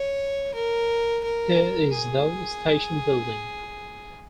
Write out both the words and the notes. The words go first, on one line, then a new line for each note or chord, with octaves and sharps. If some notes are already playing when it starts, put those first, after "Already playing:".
There is no station building.
Already playing: C#5
A#4
A#4
G#4